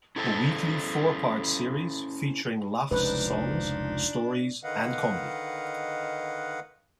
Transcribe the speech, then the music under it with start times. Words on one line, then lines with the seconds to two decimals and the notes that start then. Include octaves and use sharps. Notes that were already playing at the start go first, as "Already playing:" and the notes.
A weekly four-part series featuring Lach's songs, stories and comedy.
0.16 C#4 E4 A4 C5 F#5 A5
2.91 F1 C#2 F3 D4 D#4 B4
4.63 D3 D#3 B4 D#5 F5 F#5